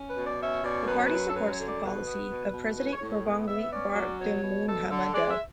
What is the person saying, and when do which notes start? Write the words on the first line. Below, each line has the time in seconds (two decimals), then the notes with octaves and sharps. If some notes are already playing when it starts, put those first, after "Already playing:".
The party supports the policy of President Gurbanguly Berdimuhamedow.
Already playing: C#4
0.08 B4
0.16 B2
0.25 D5
0.40 C#4 E5
0.63 B2 D5
0.87 F#2 B4
0.97 C#5
1.05 B4
1.11 F#3
1.29 A4
1.35 F#2 B4
1.51 C#5
1.58 D3
1.67 D5
1.83 B2 B4
2.06 B3
2.29 B2
2.53 B2
2.77 A2 B4
2.92 C#5
3.01 A2
3.08 C#5
3.25 B3
3.47 B3 E5
3.71 C#4 D5
3.95 F#3
4.19 B2 C#5
4.43 B2
4.67 D2 A4
4.90 D3 A4
5.13 G#3 D5
5.30 E5